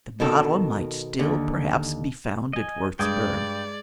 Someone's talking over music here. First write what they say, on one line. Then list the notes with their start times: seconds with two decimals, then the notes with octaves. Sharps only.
The bottle might still perhaps be found at Wurzburg.
0.20 B2 D#3 A4
1.19 D#2 D3
2.53 D#5 G#5
2.99 G2 G#3 D5 G5 D#6 G#6